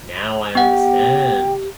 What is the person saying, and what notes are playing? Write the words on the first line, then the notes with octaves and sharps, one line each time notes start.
Now I understand.
B3 G4 F#5 G5